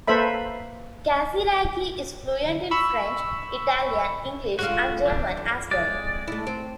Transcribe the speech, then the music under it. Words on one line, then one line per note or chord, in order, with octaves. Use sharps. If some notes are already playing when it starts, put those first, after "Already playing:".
Casiraghi is fluent in French, Italian, English and German as well.
A#3 A4 B4 C5 E5 B5
B5 C#6 E6
D3 G#3 F4 F#4
E3 G3 D4
F2
G#3 D5
A3 E4
C4